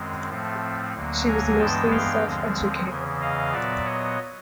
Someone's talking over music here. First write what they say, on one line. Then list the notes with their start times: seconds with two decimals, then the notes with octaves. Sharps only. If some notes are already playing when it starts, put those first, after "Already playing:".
She was mostly self-educated.
Already playing: F#2 D#3 G#3 C4
0.29 A2 F3 A3 C4
0.94 D2 D3 F#3 A#3
1.27 G#5 A#5
1.58 G2 E3 G#3 B3 G5 A5
1.91 F5 G5
2.23 D#2 D3 F3 G#3 C4
2.89 E2 C#3 E3
3.21 D#5 F5
3.53 A#2 F#3 B3 D5 E5
3.86 C#5 D#5